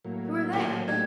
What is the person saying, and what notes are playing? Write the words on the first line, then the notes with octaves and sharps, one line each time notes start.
"Who are they?"
A2 F#3 A#3
A1 D#2 A#2
A3 D4 D#4 G4 G#6